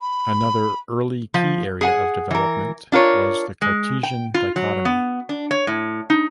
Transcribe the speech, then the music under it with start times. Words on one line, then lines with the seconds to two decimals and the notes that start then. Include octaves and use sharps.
Another early key area of development was the Cartesian Dichotomy.
0.01 B5
1.34 F3
1.81 G#4 F#5 G#5
2.31 E3 A#4
2.92 D4 F4 A#4 C#5
3.62 G#3
4.03 G5
4.34 F4
4.56 F#3
4.85 B3
5.29 D4
5.51 C#5
5.67 A2
6.10 D#4